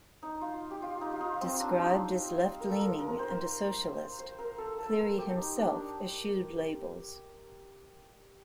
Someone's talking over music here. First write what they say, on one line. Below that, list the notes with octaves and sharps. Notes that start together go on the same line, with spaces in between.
Described as left-leaning and a socialist, Cleary himself eschewed labels.
D#4
F4
G4
F4
D#4
F4
D#4
C4
D4
D#4 F4
A#4
A4
A#4
A#4
C5
C5
A#4
A4
A4
A#4
G4
D#4
D4